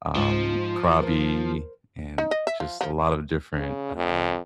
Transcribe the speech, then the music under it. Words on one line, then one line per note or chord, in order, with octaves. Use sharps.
um, Krabi and just a lot of different, uh
G#2 F3
A#4 C5
D#4
D#5
E5
F3
F3
C#3
F2